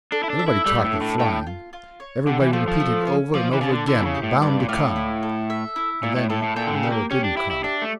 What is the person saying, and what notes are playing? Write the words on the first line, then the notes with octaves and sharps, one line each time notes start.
Everybody talked of flying, everybody repeated over and over again, "Bound to come," and then you know it didn't come.
D4 A4
E4
D4
E5
E4
G3 A3
G2
A2
D4
A2
A2 G5
F4
F4
C#5
D3 G4
E3
F3 A3
F3
A3
C#4
F3 D5
E3
C#3 A5
D3
D3 E4
A#2
C#3
G4
A2
G2 D5
A#2
A2 F5
E4
A4
E5
E4
A#2 E4
A2
A2 A4
A2
A#2 G5
D3
C#3
G4
A#3
C#4 G4
D4
E4 D5
E4
D4 E5
A3